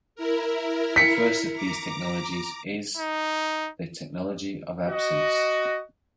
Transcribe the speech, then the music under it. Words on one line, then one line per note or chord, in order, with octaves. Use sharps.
The first of these technologies is... the technology of absence.
E4 A#4
B6 C#7
A#5 D6
D#4
F#4 D#5